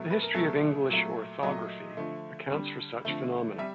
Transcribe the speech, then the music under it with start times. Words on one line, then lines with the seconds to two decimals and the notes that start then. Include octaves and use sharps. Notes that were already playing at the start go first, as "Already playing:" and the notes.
The history of English orthography accounts for such phenomena.
Already playing: B2 F#3 A3
0.10 B4
0.22 A#4
0.35 B2 F#3 A3 A4
0.89 A#2 F#3 A3
1.42 A#2 F#3 A3 D#5
1.97 D3 F3 A3
2.51 D3 G3
3.05 D3 F3 A3
3.58 G3 E5